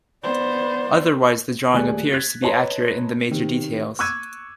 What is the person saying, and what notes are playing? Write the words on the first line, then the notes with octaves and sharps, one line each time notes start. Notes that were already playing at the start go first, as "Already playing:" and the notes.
Otherwise the drawing appears to be accurate in the major details.
B3 C5 D5
D#1 A3 G#4 D5 G#5 F#6
F#6 G#6 A6 B6
B4 C#5 D#5 A5 A#5 C6
C3 D#3
C#6 D6 E6 F#6 G#6 D#7